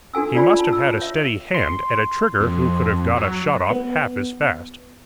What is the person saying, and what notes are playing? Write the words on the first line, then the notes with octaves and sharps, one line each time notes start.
He must have had a steady hand at a trigger who could have got a shot off half as fast.
D4 F#4 A4 G#5 E6
F4 C5 D5 G#5 B5
A5 B5
E6
C#5 E5
C6
F2
F#3
B3